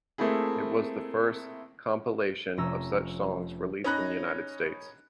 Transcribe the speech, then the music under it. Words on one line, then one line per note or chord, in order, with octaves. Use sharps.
It was the first compilation of such songs released in the United States.
A3 A#3 C4 E4 G#4
F1 C#4 A#5 E6 A#6
C#4 D#4 B5 F#6 A#6